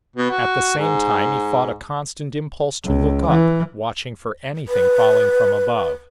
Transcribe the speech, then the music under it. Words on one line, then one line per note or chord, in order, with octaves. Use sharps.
At the same time he fought a constant impulse to look up, watching for anything falling from above.
B2
F#4
G#2
C#2
E3
B4